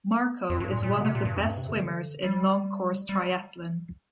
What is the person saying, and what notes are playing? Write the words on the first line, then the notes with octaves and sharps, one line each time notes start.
Marko is one of the best swimmers in long course triathlon.
F2
G2
A#2
A#2
C3
D3
C3
A#2
G2
F2
G2
C3
D3
G3
G3